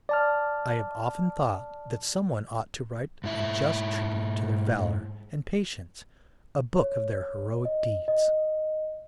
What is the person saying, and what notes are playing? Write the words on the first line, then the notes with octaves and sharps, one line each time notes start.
I have often thought that some one ought to write a just tribute to their valor and patience, a book of their heroic deeds.
D5 A5 F6
G#2 E4 E5
C#5
D#5
D#5